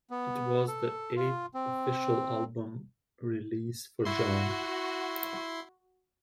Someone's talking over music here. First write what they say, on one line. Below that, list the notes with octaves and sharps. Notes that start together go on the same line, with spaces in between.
It was the eighth official album release for John.
B3
A4
F4
C4
E4 F#4 C6